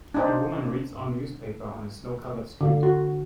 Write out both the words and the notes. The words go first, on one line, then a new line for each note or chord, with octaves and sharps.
A woman reads on newspaper on a snow covered street.
D4 D#4 C5
D3
F#4